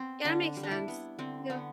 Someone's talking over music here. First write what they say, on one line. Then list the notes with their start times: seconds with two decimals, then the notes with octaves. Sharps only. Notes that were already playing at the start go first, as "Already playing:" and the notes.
Yeah, that makes sense, yeah.
Already playing: B3 C4
0.25 D3 D4
0.57 G3
0.63 D4
0.71 E4
0.88 B3
1.19 D3 C4
1.50 D3 B3